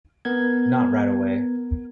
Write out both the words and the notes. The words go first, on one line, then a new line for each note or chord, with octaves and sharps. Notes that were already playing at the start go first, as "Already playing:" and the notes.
Not right away.
B3 A#4 G#6